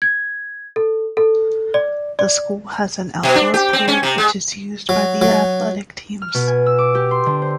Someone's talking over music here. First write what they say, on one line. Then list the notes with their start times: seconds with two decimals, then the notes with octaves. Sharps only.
The school has an outdoor pool which is used by the athletic teams.
0.02 G#6
0.76 A4
1.17 A4
1.74 D5
2.19 D5
3.23 B2
3.35 D4
3.54 G4
3.73 C4
3.88 C#4
4.03 C3
4.18 G#3
4.89 F#3
5.22 F#3
6.22 F6
6.34 B2
6.47 G#5
6.66 E6
6.78 D6
6.95 G4
7.11 C6
7.26 D3
7.42 C5